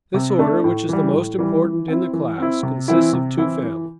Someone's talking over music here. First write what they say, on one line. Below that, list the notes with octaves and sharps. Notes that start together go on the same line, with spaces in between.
This order, which is the most important in the class, consists of two families.
C3
A3 D4
A2
E3 G3
A2
E3 G3
E3
C4 E4
E3
C4 E4
C3
E3 C4 E4
C3
E3 C4 E4
E3